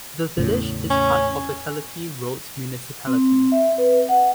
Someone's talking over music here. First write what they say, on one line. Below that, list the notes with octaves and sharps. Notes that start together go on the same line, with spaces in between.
The village is part of the Kallitea-Rhodes Municipality.
E2 A2 C#3
C#4
C4
E5
B4
F#5